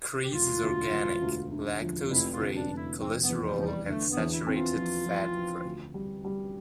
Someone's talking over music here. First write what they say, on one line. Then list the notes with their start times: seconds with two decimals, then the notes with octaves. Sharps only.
Chreese is organic, lactose-free, cholesterol and saturated fat-free.
0.23 G4
0.33 E1 F4
0.63 D2
0.92 E1
1.22 D2
1.52 D3
1.81 F3
2.10 F1 E4
2.33 F4
2.40 D3
2.55 D4
2.70 F1
2.77 E4
2.99 F1 C4
3.21 B3
3.29 E2
3.43 G3
3.58 E2 F3
3.66 G3
3.88 D3 A3
4.11 B3
4.17 E2
4.32 E4
4.47 C4
4.54 F4
4.77 F3
5.06 F3
5.36 F3
5.65 D2
5.94 G3
6.24 G3